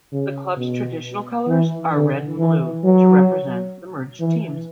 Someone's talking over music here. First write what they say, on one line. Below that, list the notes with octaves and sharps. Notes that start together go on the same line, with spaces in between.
The club's traditional colours are red and blue, to represent the merged teams.
C#3
B2
E3
D3
E3
F#3
E3